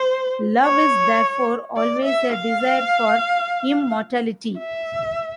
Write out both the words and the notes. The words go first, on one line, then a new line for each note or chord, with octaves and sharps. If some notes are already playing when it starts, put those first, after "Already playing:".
Love is therefore always a desire for immortality.
Already playing: C5
C#5
D5
E5
F5
E5